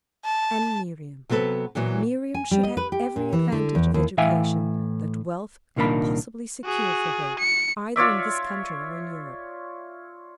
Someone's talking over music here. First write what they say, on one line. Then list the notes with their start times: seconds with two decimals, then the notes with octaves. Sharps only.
And Miriam--Miriam should have every advantage of education that wealth could possibly secure for her, either in this country or in Europe.
0.25 A5
1.30 C3 F#3 B3 A4 B4
1.75 A#2 E3 F#3 B3
2.34 G#5
2.51 G3
2.63 D#5
2.77 B4
2.92 G4
3.16 A#2
3.33 E3
3.52 D3
3.75 E2
3.94 D#2
4.18 A2 E3 E5 F5 G5 G#5
5.76 C2 A#2 D#3 A#3 D4 B5
6.65 F#4 G#4
7.39 C#7
7.96 F4 C#5 D5 E5